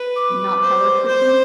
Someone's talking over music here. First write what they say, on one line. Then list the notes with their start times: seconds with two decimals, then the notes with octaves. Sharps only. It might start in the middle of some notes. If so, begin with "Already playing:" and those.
not power tripping?
Already playing: B4
0.16 D6
0.62 C5
1.08 C5 G6